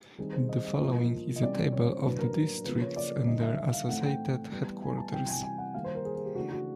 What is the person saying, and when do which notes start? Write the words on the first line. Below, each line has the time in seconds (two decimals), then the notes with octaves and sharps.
The following is a table of the districts and their associated headquarters.
0.18 D#3 G3 C4 D#4 G#4
0.33 C5
0.49 D#5
0.65 D#5
0.79 A2 F3 A#3 D4
1.36 D#5
1.41 C3 E3 G3 A#3 C#4 D5
1.73 C#5
1.89 C5
2.04 A2 F#3 A#3 D4 B4
2.19 A#4
2.65 C#3 F3 A#3 B4
2.81 C#5
2.96 D5
3.26 D3 G3 A#3 D#4 D#5
3.42 E5
3.58 E5
3.73 F5
3.89 A2 E3 A3 C4 D#4 F#5
4.04 G5
4.51 E3 G3 B3
4.82 G#5
4.98 A5
5.12 C3 E3 G3 G5
5.29 G#5
5.43 G#5
5.58 F#5
5.74 D#3 G3 A#3 F5
5.84 C5
5.95 A#4
6.05 G#4
6.15 G#4
6.25 G4
6.35 C#3 E3 A3 D4 F#4
6.52 F#4